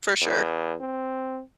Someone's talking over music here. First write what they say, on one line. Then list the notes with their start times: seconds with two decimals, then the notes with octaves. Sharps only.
For sure.
0.21 E2
0.80 C4